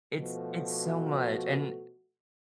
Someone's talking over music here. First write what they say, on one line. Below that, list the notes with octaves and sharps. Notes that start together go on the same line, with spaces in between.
It's it's so much, and,
B2 F3 A3 F#4